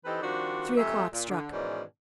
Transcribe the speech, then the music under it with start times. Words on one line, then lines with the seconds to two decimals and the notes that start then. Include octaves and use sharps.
Three o'clock struck.
0.05 E3 C4 D#4 G4 A4 B4
0.22 D#3 F3 G3 C4 D4 F#4
0.78 F2 G#3 A3 G4 A#4 E5
1.13 A#2
1.29 D3
1.52 G#2 B2 D#3 E3 C#4 D4